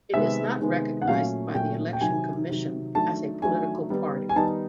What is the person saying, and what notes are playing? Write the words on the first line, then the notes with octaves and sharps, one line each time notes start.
It is not recognized by the Election Commission as a political party.
C3 D#3 G#3 B3 E5
C3 D#3 G#3 B3
F#5
A#2 F#3 A3 C#4 F5
A#2 F#3 A3 C#4 G5
G5
C3 D#3 F#3 G#5
C3 D#3 F#3
D#3 F#3 A3 D4 A5
D#3 F#3 A3 D4 G#5
D#3 G3 B3 D#4
G#5
D#3 G3 B3 D#4 A5